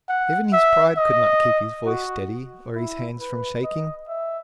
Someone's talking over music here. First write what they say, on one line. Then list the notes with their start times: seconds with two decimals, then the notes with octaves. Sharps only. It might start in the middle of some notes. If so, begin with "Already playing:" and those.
Even his pride could not keep his voice steady or his hands from shaking.
0.09 F#5
0.53 E5
0.97 D#5
1.86 F#4
2.75 E4
3.20 B4
3.64 D#5
4.08 E5